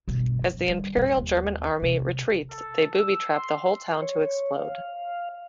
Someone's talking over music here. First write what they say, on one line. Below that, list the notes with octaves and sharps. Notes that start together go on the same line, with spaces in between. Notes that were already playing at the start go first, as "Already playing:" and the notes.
As the Imperial German Army retreats they booby trap the whole town to explode.
G1 B2
F#2
D3 G3
D#1
D#2
C3
A4
E6
C6
C#5
F5